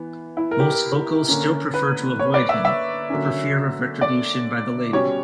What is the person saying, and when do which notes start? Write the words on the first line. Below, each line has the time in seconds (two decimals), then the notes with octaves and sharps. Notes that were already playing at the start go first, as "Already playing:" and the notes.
Most locals still prefer to avoid him, for fear of retribution by the Lady.
Already playing: E3 B3
0.37 E4
0.51 A#4
0.60 G4
0.72 A#4
1.28 D3 A#3 C#4
1.74 B4
2.19 C#5
2.34 D5
2.49 E5
2.65 E5
3.10 D3 F#3 A#3 C#4
4.01 D5
4.92 B2 G3 C#4 C#5